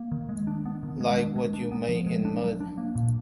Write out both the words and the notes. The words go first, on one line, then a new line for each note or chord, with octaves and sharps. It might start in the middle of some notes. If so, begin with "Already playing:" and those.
Like what you make in mud.
Already playing: A#3
D#3
G#3
D4
B3
D#3
G#3
D4
G#3
D4
B3
F3
G#3
D4
F#3
D4
A#3
A#2